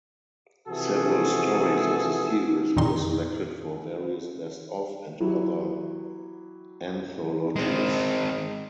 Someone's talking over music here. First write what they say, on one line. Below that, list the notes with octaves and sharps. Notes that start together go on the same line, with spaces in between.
Several stories of the series were selected for various "Best of" and other anthologies.
C3 E3 F3 F#4 G#4 A4
F2 A#2 D#3 D#4 C6
F#3 E4 G4
G#3 C4